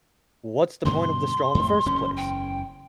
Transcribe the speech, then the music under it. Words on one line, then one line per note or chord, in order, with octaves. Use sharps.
What's the point of the straw in the first place?
G2 B2 D3 C6
F2 A2
F#1 E2 C#4
G5